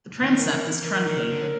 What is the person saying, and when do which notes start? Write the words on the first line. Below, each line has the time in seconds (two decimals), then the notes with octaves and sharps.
The transept is truncated.
0.22 D#3
0.38 A#4
0.54 E3
0.83 E3 A#4
1.06 D#3
1.30 D3